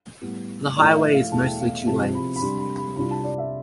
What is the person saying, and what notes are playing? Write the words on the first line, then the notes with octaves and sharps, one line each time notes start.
The highway is mostly two-lanes.
A2 G3 B3
A2 F3 A3 D5
E5
F5
E2 B2 A3 A5
G5
F5
C3 F3 C4 G4 A5
B5
B5
C3 G3 D4 G4 C6
B5
B5
C2 C3 G3 D4 F4 B5
A5
D5
E5